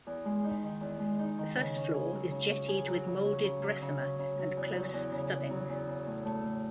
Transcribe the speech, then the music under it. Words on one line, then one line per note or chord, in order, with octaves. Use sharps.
The first floor is jettied with moulded bressumer and close studding.
E2
G#3
D#4
D#3
E2
G#3
D#4
D#3
C#3
C#4
G#4
F#3
C#3
C#4
G#4
F#3
C#3
C#4
C#3
F#3
C#3
C#4
C#3
F#3
E2
F#3
E2
C#3
E2
F#3
E2
C#3
A2
A3
A2